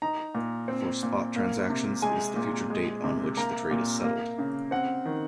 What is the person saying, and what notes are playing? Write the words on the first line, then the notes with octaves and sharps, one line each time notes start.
For spot transactions it is the future date on which the trade is settled.
D#4 A#5
A#2
C4
A#2
A#3
C3
G#3 G#5
A#2
G#3
C3
A#3 A#5
A#2
A#3
C#3
C4 F#5
D#3